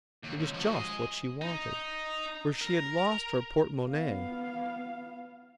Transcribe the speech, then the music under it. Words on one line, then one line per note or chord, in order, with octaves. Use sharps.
It was just what she wanted, for she had lost her porte-monnaie.
D#2
C#2
F3 F#4
G#4 D#5
D#4
A#4
B3 F5